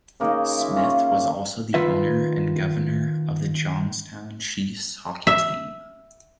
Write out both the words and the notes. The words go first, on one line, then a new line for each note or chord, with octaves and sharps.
Smith was also the owner and Governor of the Johnstown Chiefs hockey team.
C#3 A#3 D#4
F4 E5
C#4 F4
D#3 F4 B4 E5
E5